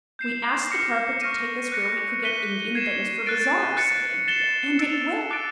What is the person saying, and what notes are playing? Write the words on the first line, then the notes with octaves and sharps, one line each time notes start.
'We asked the carpet to take us where we could get Indian things for bazaars,' said Anthea, 'and it will.'
G6 C7 E7
D6 F6 A#6 C#7
C#6 F6 A#6 D#7
F#6 A#6 C#7
F#6 B6 D#7 G7
G#6 C7 E7
F#6 A6 D7
F#6 A6 C#7
A6 C7 E7 G7
E6 A6 D7 F7
D6 F#6 A6 D7